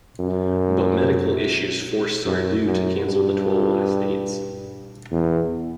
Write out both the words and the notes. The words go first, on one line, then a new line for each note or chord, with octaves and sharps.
But medical issues forced Sardou to cancel the twelve last dates.
F#2
F#2
F#2
G2
E2